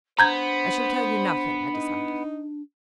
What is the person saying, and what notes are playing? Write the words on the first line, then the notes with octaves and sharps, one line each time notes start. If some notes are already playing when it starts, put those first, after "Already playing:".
"I shall tell you nothing," I decided.
B3 D4 C5 A#5 G6 G#6
D#4